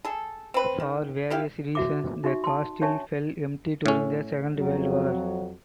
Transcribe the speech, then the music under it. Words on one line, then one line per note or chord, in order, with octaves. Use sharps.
For various reasons the castle fell empty during the Second World War.
G#4 A4
C4 B4
D#3
E4 G4 F5
F#4 E5 D6
D#4 F#4 E5 C#6
A5 C6
C#4 D4 C#5 E5 A5 C#6
A2 C#4
F2 F#3